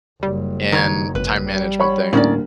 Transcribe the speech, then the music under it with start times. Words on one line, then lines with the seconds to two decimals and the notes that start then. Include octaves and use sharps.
and time management thing,
0.23 F#1 G3
0.72 D#3 D#4 C#5
1.15 G#1 B4
1.49 G3
1.80 C#5 B5 C#6
2.13 D2 A2 A#3 C#4 D#4 D5